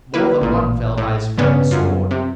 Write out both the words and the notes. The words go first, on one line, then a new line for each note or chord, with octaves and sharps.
More than one fell by his friend's sword.
A#3 E4 B4
A1 A#2
A2
G2 C#3 B3 C#4 D4
F#2 F4
C3